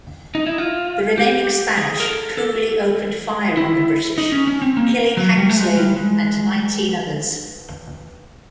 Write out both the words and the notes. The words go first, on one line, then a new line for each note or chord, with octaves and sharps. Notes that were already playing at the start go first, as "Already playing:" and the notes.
The remaining Spanish coolly opened fire on the British, killing Hanxleden and nineteen others.
D#4
E4
F4
G4
G#4
A#4
A4
A4
E4
D#4
C#4
C#4
C4
A#3
F#3
G3
A3
G#3
G3
G#3